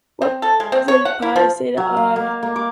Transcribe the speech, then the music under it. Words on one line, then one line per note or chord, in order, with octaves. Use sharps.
What did pi say to i?
C4
A4
G#3
C4
C#5
F#5
E4
F3
F#3
F5
A#3
A#3
D6